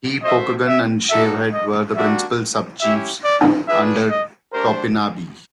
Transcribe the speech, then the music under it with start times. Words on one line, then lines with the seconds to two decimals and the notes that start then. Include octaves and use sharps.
He, Pokagon, and Shavehead were the principal sub-chiefs under Topinabee.
0.23 F#4 A4 C5 D#5 E5
0.67 E5
1.09 G3 A#3 D#4 F#4 A4 E5
1.53 D#5
1.95 G3 A#3 D4 F#4 E5
2.81 C#4 E4 G4 E5
3.24 D5
3.67 D4 F4 G#4 B4 E5
4.10 D#5
4.53 A3 D4 G4 A#4 C5